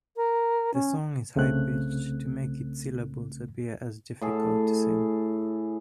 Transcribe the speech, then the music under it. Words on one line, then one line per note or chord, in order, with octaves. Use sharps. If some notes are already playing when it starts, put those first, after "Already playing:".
The song is high-pitched to make its syllables appear as difficult to sing.
A#4
C#4
C2 C#3 A3 C4 F#6
A2 G#4 A4